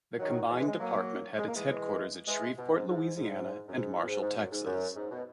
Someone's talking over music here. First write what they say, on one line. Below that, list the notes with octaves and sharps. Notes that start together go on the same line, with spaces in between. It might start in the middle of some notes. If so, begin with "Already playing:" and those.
The combined department had its headquarters at Shreveport, Louisiana, and Marshall, Texas.
D#3 F#3
E3 G#3
G#3
F#3 A#3
G#3
A#3
E3 G#3
E3 G#3
B2
G#2
G#2
G#2
F#2
G#2
A#2
G#2
G#2
F#2
G#2
F#2
G#2
B2